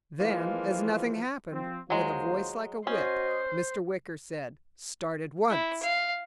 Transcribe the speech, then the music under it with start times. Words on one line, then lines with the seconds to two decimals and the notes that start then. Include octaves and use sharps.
Then as nothing happened, with a voice like a whip Mr. Wicker said: "Start at once!"
0.20 E3 F3 G#3 A#3 F4
1.52 F3 C4
1.90 D#2 F#3 G#3 F4 C5
2.87 C#4 F#4 C5 D#5
5.50 E4
5.83 F5